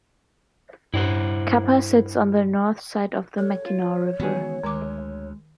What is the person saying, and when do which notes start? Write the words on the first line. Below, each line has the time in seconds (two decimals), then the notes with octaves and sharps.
Kappa sits on the north side of the Mackinaw River.
0.94 G2 E4 C5 F#5
3.38 A4 C#5
3.66 F4
4.19 C#2 D#3 E3 B3 F#4 G#4
4.63 D2 D#3 G#3 D6